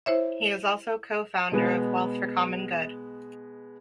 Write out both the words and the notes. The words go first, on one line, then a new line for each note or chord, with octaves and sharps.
He is also co-founder of Wealth for Common Good.
E4 C5 C#5 E5
B2 G#3 B3